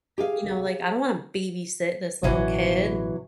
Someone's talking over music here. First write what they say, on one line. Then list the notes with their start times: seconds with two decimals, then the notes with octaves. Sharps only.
you know, like, "I don't wanna babysit this little kid."
0.18 G4 G#4 F5
2.23 A1 B2 D3 E3 F#3